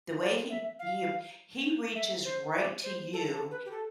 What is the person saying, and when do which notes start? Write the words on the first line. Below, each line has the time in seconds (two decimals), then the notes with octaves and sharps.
The way he he, uh he reaches right to you,
0.21 D5
0.50 E5
0.79 F5
1.95 E5
2.25 C5
2.55 D5
2.83 C5
3.13 A4
3.32 A4
3.51 B4
3.65 G4
3.71 A4